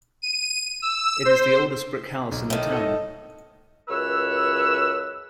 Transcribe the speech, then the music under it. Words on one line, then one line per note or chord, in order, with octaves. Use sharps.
It is the oldest brick house in the town.
D#7
E6
C5
B1
A2 D#3
A4 D#5
C#2 F#2 B4 C#5 E6